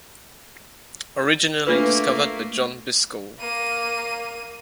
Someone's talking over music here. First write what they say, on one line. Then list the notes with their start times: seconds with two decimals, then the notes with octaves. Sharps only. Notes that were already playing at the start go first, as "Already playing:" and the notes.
Originally discovered by John Biscoe.
1.67 A3 A#3 D4 F4 B4
3.39 A#3 D#7